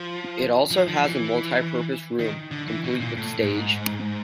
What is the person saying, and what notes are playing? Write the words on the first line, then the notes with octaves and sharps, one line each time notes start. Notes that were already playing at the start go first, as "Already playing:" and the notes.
It also has a multipurpose room, complete with stage.
Already playing: F3
F3
F3
E3
D#3
D3
E3
B2
A#2
A2
G#2